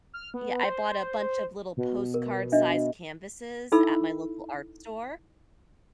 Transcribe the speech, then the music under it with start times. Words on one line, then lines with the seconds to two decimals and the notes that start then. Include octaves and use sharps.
Yeah, I bought a bunch of little postcard sized canvases at my local art store,
0.14 F6
0.34 B3
0.64 C5
1.77 B2
2.14 A#4
2.52 D4 D#5 E5
3.72 D#4 E4 A4 E5 B5 E6